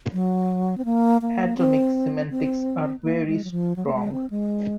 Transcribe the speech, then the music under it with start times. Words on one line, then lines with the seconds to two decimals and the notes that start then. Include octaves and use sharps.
Atomic semantics are very strong.
0.13 F#3
0.78 C4
0.85 A#3
1.22 A#3
1.57 C4
2.30 C4
3.03 A#3
3.27 G#3
3.44 F#3
3.51 F3
3.76 F#3
3.86 A#3
3.94 G#3
4.12 C4
4.30 G#3